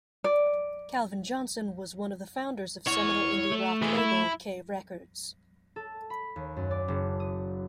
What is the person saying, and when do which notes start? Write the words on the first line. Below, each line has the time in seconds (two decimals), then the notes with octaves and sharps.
Calvin Johnson was one of the founders of seminal indie-rock label K Records.
0.24 D5
2.87 E4 C#5 F#5
3.51 A3
3.82 E3 G#3
3.98 E4
5.76 A4
6.10 B5
6.36 D#2
6.57 F#2
6.71 D5
6.88 F#1
7.20 D#6